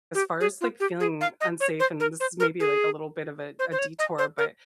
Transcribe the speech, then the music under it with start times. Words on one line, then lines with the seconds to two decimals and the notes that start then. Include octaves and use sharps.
as far as, like, feeling unsafe, and this is maybe, like, a little bit of a a detour, but,
0.15 G4
0.40 G#4
0.61 F4
0.80 G4
1.00 G#4
1.21 F5
1.41 D#5
1.60 C#5
1.80 C5
2.00 A#4
2.20 C5
2.40 A#4
2.60 G#4
3.59 C5
3.72 C5
3.79 C#5
3.99 D#5
4.18 C5
4.38 A#4